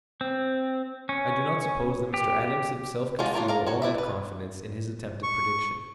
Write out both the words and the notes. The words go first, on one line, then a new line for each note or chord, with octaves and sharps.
I do not suppose that Mr. Adams himself could feel all that confidence in his attempted prediction.
C4
C#4
G4
G#3 C#4 D4 F4 F#4
D4 F4 A#4 C#5
A#4 F5 A#5
C#4 F#4 C#5
E4 D5 E5
B4
C#6